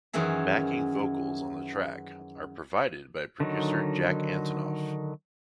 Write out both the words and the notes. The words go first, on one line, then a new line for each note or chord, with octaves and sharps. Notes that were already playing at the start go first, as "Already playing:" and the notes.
Backing vocals on the track are provided by producer Jack Antonoff.
F#2 D#3 E3 C#4 G#4 E5
D3 D#3 F#3 D#4